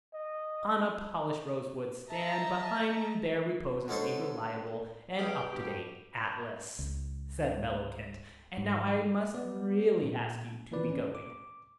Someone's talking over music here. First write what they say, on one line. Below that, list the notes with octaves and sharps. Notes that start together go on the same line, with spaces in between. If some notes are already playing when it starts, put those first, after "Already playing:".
"On a polished rose-wood stand behind you there reposes a reliable and up- to-date atlas," said Mellowkent; "and now I must really ask you to be going."
D#5
D#5 E5 A5 A#5
D3 G#3 C#4 D#4 A4 C5
G4 G#4 B4 D#5 F5 G5
G2 B2 G4
C#2
G#2
B3 D5
A#2
D#3 E3 A#3 F4 B4 D5
C#4
D6